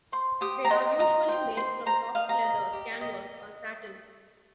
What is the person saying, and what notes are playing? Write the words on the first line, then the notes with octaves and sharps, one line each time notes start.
They are usually made from soft leather, canvas or satin.
C5 C6
G4 D#6
A#5
D#5 C6
D#5 A#5
C5 G5
C5 C6
C5 A#5
D#5 F5
A#5
D#5
G4
D#5